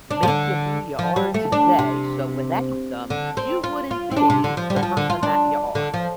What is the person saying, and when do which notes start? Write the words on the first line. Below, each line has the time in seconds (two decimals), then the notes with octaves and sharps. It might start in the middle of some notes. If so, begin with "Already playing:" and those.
make ya who you are today, so without them, you wouldn't be the person that ya are.
0.10 D4
0.23 F3
0.28 D3
0.99 F3
1.16 G3
1.34 A3
1.52 D4
1.79 C3
3.10 D3
3.37 C4
3.64 F4
3.91 F4
4.11 C4
4.16 D4
4.30 C3
4.44 D3
4.57 F3
4.70 G3
4.76 D3
4.83 F3
4.97 D3
5.10 F4
5.23 D4
5.75 D3
5.94 F3